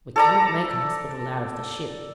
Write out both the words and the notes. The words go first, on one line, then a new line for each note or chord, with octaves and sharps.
We cannot make a hospital out of the ship.
A4 D5 A#5